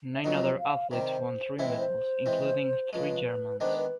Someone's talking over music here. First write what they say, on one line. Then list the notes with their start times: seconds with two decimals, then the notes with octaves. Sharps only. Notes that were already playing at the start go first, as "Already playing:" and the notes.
Nine other athletes won three medals, including three Germans.
0.14 E5
0.24 F2 D3 F#3 B3 D#4 D#5
0.58 F5
0.91 C3 D#3 G3 C5
1.59 A2 E3 G#3 C4 E4 C5
1.68 B4
1.77 C5
2.26 E3 G#3 C4
2.93 C#3 F3 G#3 B4
3.60 D#3 G#3 B3 D4 C5
3.77 B4